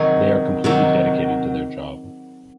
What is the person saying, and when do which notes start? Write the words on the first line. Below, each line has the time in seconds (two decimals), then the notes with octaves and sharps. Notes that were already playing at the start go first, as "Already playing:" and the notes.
They are completely dedicated to their job.
Already playing: C3 D#3 F#3 G#4
0.64 C3 D#3 F#3